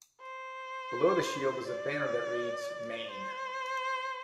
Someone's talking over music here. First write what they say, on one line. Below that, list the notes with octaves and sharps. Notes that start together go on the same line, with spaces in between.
Below the shield is a banner that reads "Maine".
C5
D5
C5